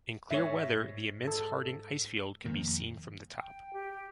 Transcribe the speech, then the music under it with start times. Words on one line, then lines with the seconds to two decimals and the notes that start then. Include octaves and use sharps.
In clear weather the immense Harding Icefield can be seen from the top.
0.31 G#2 C#5 E5
1.28 A4
2.44 F2 D#3 A#3
3.40 G5
3.73 G4